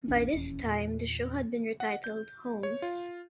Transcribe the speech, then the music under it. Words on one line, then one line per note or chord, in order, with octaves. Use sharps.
By this time, the show had been retitled "Holmes".
A#1 E2 C#4 D4
D#1 E2 C#4
E2 A#2
F#5
G6
C#5
F4